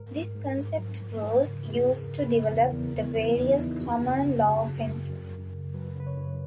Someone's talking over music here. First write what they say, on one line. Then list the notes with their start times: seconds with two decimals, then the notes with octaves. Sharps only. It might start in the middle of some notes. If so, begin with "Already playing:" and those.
This concept was used to develop the various common law offences.
Already playing: G#2 A#4
0.14 G#2
0.35 G#2
0.57 G#2
0.78 F#3
1.01 G#2
1.21 E3 B4
1.38 A#4
1.44 C#3
1.65 E2 G#4
1.86 E2 A#4
2.08 C#3
2.19 B4
2.30 C#3
2.51 E2 A#4
2.72 E2
2.94 E2
3.15 E2 B4
3.37 E2 D#4
3.48 E4
3.59 E2
3.80 F#2 F#4
4.02 C#3 F#4
4.23 C#3
4.45 C#3 G#4
4.66 F#2
4.78 A#4
4.87 F#2
5.10 F#2
5.31 F#2
5.53 C#3
5.74 F#3 B4
5.96 C#3 B4
6.07 C#5
6.17 F#2